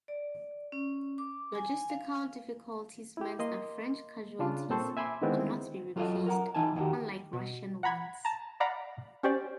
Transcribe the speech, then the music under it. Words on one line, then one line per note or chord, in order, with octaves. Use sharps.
Logistical difficulties meant that French casualties could not be replaced, unlike Russian ones.
D5
C#4
D6
G#5
F5
E4 G4
A#3 D#5 C6
C#3 D4 F4
A#2 C4 A4 C5 C#6
E5 G#5 B5 C6 D6
D3 D#3 G#3 B3 C4 E4
F#3 F4 A4 D#5 F5
A#4 F#5 A#5
E3 D#4 G#5 A5
D#2 D#3 F#4 G4
B2
F#5 A#5 B5 G#6
A5 A#5
D5 F5 F#5 A#5 B5
C#4 G4 C5 D5